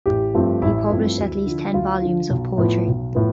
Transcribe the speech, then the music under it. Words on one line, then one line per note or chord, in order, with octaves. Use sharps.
He published at least ten volumes of poetry.
A1 G4
G2 F3 A3 C4
A1 E4
G2 F3 A3 C4
D2
D3 F3
D2 F4
D3 F3
B1
A2 F3 B3
B1
A2 F3 B3